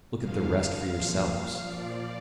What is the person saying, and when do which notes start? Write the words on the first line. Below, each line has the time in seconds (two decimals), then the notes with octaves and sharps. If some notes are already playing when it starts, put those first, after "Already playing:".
Look at the rest for yourselves.
0.15 G2 D3 F3 F5
0.89 A#2 F3
1.62 A#2 F3 D5